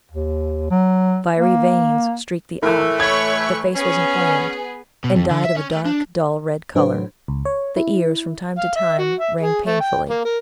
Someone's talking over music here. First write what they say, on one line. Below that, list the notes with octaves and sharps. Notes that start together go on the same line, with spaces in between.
Fiery veins streaked the eye; the face was inflamed, and dyed of a dark dull red colour; the ears from time to time rang painfully.
D#2
F#3
A#3
A2 E3 A3 E4 A#4
C#5 B5 C#6 G#6
B3 C#4 G#4
B2
F2
D3
E5
C#4
A3
D4
A2 F#3 D4 B4 C5
C#2
C#5
E4
F5
E5
F#4
E5
G#4
A3
G5
A#3
A#4